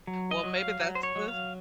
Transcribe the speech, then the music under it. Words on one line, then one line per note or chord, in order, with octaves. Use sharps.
Well, maybe that's the
F#3
D#5
F#3
F5
F#3
C5
C#5
F#3
F5